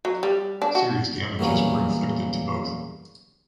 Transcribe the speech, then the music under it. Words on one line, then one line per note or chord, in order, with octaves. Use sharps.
Serious damages were inflicted to both.
F#3
G3
D4
F#4
E2 A#2 F#3 G3 C#4